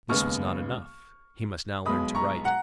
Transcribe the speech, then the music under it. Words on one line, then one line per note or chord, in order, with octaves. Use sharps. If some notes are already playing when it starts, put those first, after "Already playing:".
This was not enough--he must now learn to write.
D#2 C#3 G#3 B3 C#6 F6
B1 B2 G#3 B5 D#6
A#5 C#6
F#5 A#5